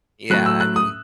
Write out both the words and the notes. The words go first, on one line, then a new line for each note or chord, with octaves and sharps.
Yeah, I mean
A2 F#3 F#6
E6
F#6
D#6